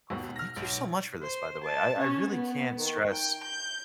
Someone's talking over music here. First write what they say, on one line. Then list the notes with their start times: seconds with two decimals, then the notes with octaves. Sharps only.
helpful, thank you so much for this, by the way. I I really can't stress,
0.10 D#2 B2
0.36 F6 A#6
0.56 B1
1.22 C5
1.63 A5
1.98 C#4
2.31 B3
2.79 D#3
3.12 G5
3.44 G6